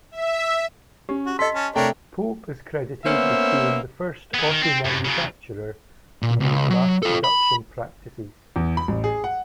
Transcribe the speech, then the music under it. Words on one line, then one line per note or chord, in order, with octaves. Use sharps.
Pope is credited with being the first auto manufacturer to use mass production practices.
E5
C#4 G4
F#4
A4 D#5 C6 B6
C#4 A5
C3 A3 D4 A#4 C#5 G5
A#3 B3 C#4 C5 E5
B3 G#4
D#3
C4
F#2 A2
C#3 F#3
A#2
C#2
F#3
F4 A4
B5
E2
B5
A1
G#4
F#5